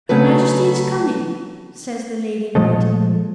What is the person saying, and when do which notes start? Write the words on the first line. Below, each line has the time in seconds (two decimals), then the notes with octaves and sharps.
"Her Majesty is coming," says the lady-in-waiting.
0.09 C#3 F#3 A3 B4
2.55 A#2 F3 G#3 A3